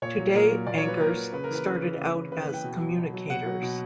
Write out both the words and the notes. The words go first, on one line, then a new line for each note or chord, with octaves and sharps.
"Today" anchors started out as "Communicators".
A#2 C#5
F#3
A#2 A#4
F#3
A#2 D5
C#5
F#3
B4
A#2 A#4
F#3
C#3 B4
A#4
E3 B4
C#3 A#4
E3
C#3
E3
C#3 B4
B4
E3
G5
B2
F#3
B2
F#3
B2 F#5
F#3
B2